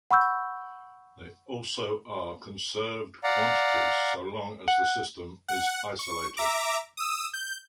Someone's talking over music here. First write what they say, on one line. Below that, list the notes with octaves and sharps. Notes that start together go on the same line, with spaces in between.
They also are conserved quantities, so long as the system is isolated.
F#5 B5 C#6 E6 G6
D5 F5 F#5 A#5
F#5
F#5
C#6
E5 A#5 D6
D#6 E6
G6